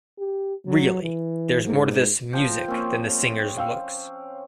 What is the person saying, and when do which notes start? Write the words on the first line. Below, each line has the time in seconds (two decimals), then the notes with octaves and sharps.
Really, there's more to this "music" than the singer's looks.
0.18 G4
0.66 F#3
1.03 E3
1.64 G#2
2.33 F3 G5
2.68 A#3 C4 C#4
3.57 F5 G5 E6